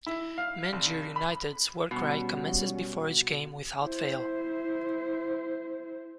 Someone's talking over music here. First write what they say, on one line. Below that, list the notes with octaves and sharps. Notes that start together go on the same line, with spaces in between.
Mangere United's war cry commences before each game without fail.
E4
F5
F1
B5
B2 G3 C#4 F#5
E4 C5